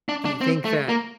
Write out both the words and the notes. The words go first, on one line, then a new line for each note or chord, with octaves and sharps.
do you think that
D4
D4
C4
A3
A#3